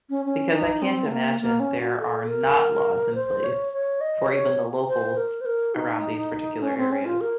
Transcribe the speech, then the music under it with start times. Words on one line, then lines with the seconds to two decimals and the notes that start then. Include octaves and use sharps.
because I can't imagine there are not laws in place for even the locals around these particular areas.
0.10 C#4
0.25 C#4
0.53 D#4
0.82 C4
1.06 A3
1.11 A#3
1.41 A#3
1.60 C#4
1.80 F#4
1.99 A4
2.23 A4
2.28 A#4
3.15 C5
3.44 C#5
3.73 C#5
4.01 D#5
4.30 C#5
4.88 C5
5.17 A#4
5.41 C5
5.46 A#4
5.75 D#4
6.62 C#4
6.77 C4
6.92 C#4
7.06 F4
7.21 A#4